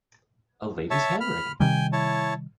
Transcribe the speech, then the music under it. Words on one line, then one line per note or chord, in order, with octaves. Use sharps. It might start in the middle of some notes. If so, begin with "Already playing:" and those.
A lady’s handwriting!
C#5 E5 A5
B5 F6
C3 D#3 G3 G5 G#5
E4 C#5 A5